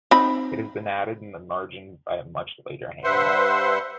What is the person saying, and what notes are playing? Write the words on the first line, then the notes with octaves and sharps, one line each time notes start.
It has been added in the margin by a much later hand.
C4 D#4 B5
G2 B4 C5 E5 F#5 C6